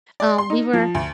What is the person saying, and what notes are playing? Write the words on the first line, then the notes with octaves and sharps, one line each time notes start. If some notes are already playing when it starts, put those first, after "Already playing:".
um, we were
D5
C6
D#4
F3
D2